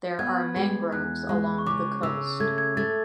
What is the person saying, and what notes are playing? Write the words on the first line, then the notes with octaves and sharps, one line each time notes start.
There are mangroves along the coast.
B3 G#6
G#3
E2 F#6
G#3
C#6
C#3 D6
C#3 E6
A3 G#6
G#6
A3 A6